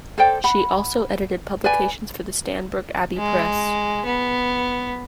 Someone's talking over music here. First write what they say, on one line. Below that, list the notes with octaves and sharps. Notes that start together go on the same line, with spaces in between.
She also edited publications for the Stanbrook Abbey Press.
A4 C5 D5 G5
F#5 B5
B4 D5 G#5
G#3
B3